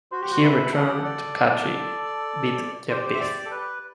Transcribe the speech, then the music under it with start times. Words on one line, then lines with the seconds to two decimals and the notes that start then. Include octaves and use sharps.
He returned to Kashi Vidyapith.
0.12 F#4 C5
0.22 G4
0.31 F#4
0.42 B4 E5
0.73 A4 F#5
0.87 G4
0.99 A4
1.04 D5
2.89 G4 C5
2.98 D5
3.06 C5
3.14 E5
3.21 D5
3.46 A4
3.51 B4